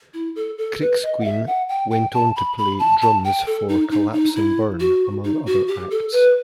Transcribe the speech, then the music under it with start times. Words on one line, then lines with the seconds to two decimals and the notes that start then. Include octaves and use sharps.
Kriksciun went on to play drums for Collapse and Burn, among other acts.
0.14 E4
0.36 A4
0.58 A4
0.80 B4
1.03 D#5
1.20 F#5
1.24 E5
1.47 F#5
1.69 G5
1.91 G5
2.14 A5
2.36 B5
2.57 B5
2.79 A5
3.01 A5
3.24 G5
3.47 A4
3.69 D#4
3.91 D#4
4.13 D#4
4.35 E4
4.80 F#4
5.24 D#4
5.46 F#4
5.67 G4
5.91 A4
6.12 B4